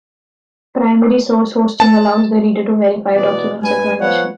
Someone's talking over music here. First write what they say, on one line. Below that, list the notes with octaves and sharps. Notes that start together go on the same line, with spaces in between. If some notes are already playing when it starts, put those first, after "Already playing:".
Primary-source hosting allows the reader to verify a document's information.
A5
B2 E3 B3 D5
G2 B4 G#5
F3 B3 C#5 F#5